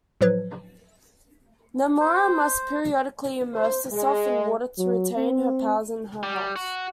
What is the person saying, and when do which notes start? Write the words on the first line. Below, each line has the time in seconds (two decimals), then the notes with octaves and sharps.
Namora must periodically immerse herself in water to retain her powers and her health.
0.21 A2 F3 F#3 B4 G#6
2.00 C5
3.54 C5
3.92 G#3
4.78 F#3
5.17 C4
6.23 G3
6.56 F#4